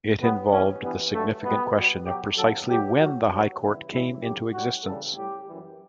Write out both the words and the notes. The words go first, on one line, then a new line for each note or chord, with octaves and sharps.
It involved the significant question of precisely when the High Court came into existence.
A2 G3 B3
E2 B2 G3 C#4
G2 E3 G3 B3
G2 F#3 A3
B2 G3 B3
B2 G3
B2 F#3 G4
E2 C#3 F#3 A4
A2 F#3 G4
A2 F#3 F#4
G2 F#3
E2 C#3 E3 G3 E4
A2 E3 G3 E4
F#2 D3 F#3 G4
A2 G3 F#4
E2 C#3 G3 A4
A2 G3 G4
F#2 E3 G3